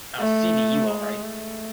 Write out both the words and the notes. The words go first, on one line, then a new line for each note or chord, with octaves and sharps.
I'll see to you all right.
A3
G#3
A3